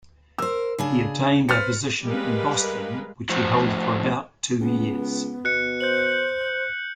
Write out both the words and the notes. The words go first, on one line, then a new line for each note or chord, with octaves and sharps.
He obtained a position in Boston, which he held for about two years.
A#4 C5 E6
C#3 D4 G#4
B4 C5 F6 A6 C#7
G3 G#3 A#4 B4 F5
A2 F3 F#4 C5
C#2 B3
B2 F#6 C#7
C5 G6 F#7